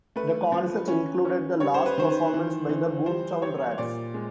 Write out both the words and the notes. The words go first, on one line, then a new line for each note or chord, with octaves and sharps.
The concert included the last performance by The Boomtown Rats.
A3 B4
F3
C#4
C#4
G3 C#5
C5
B4
D#3 C5
E3
E3
G3 C5
G3 C#5
A#2 D5
G#3